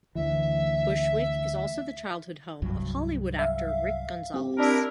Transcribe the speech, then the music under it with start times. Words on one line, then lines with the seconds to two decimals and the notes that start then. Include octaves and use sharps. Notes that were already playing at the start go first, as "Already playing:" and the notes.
Bushwick is also the childhood home of Hollywood actor Rick Gonzalez.
0.15 D2 E3 E5
2.62 C2 G2 F#3
3.39 E5 F5
4.34 C4 G4
4.58 D4 E4 A#4